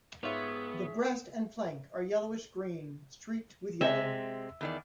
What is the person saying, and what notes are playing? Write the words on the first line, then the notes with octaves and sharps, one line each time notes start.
The breast and flank are yellowish-green streaked with yellow.
G#2 B3 F4 G4 G#4 C#5 E5
C3 G#3 C4 E5
E2 D#3 D5